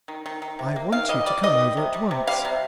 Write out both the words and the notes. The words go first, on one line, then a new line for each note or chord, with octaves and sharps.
"I want you to come over at once."
D#3
D#3
D#3
C3
A#3
D#3 F5
G3 D#5
G3 D5
D#3 D#5
G3
C3
G3
C3
G3 F5
C3